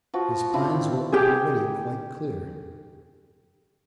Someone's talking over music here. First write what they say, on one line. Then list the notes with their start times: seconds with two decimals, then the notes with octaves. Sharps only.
His plans were already quite clear.
0.14 F3 F#4
0.54 C4 D4 E4 F5
1.12 G4 G#4